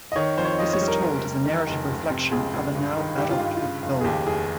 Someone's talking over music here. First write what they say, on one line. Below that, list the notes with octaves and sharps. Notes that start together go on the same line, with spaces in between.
This is told as a narrative reflection of a now adult McDull.
D#5
D#3 C#5
F2 C5
C#5
F2 D#5
C#5
G3
A#4
F1
F1
D#3
F1
C#2
C3
C#2 G#4
C#2
G2
D#3
G2 G4
F4
G2
C#3 F4
F1
G#4
D#2 G4
F1 G#4